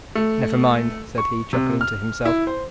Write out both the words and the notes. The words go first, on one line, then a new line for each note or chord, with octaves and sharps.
"Never mind," said he, chuckling to himself.
A3
C#6
C3
F6
E4
C5